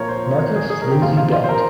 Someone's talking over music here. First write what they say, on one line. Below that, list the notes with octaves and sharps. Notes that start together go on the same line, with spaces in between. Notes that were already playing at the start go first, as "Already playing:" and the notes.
Marcus Lindsey Belt.
Already playing: A#2 F3 A#4 C#5
C5
A#4
G#4
G#4
A#4
G4
A#2 F3 F4
F4
F4
C5
A#4